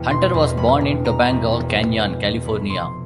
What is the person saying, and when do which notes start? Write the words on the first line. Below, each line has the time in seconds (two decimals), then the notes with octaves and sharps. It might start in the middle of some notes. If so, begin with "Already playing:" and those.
Hunter was born in Topanga Canyon, California.
Already playing: E1 E2
0.11 B2 C6
0.34 E2
0.57 E1 B5
0.81 E1
1.05 B2 A#5
1.29 E2
1.52 E1
1.75 E1
1.99 B2
2.22 E2
2.46 F1 B5
2.70 F1 C6